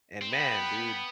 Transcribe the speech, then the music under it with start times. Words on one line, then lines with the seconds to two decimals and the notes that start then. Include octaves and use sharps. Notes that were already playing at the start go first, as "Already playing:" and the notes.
And man, dude,
0.22 C4
0.33 B3 G5 B5